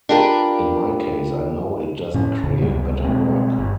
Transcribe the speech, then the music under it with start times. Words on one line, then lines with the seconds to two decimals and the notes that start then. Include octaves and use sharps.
In my case I know it doesn't create better work.
0.09 D4 F4 G4 A#4 B4
2.14 A2 C#4
2.44 F2 A2 C#3
2.62 C#2 C3 G3 B3
3.04 B2 G3 G#3 C4
3.59 G1